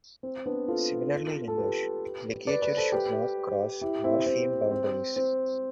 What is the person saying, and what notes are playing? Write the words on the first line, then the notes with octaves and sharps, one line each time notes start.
Similarly in English, ligatures should not cross morpheme boundaries.
C4
B3 D4
F4 A4
A4
G4 B4
B4 D5
B4 D5
A4 C5
G4 B4
E4 G4
C4 E4
C4 E4
C4
C4